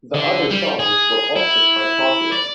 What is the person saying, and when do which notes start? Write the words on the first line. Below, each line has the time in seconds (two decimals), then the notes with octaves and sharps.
The other songs were also quite popular.
0.14 D3
0.51 G3
0.79 G#4
1.36 E4
2.32 D5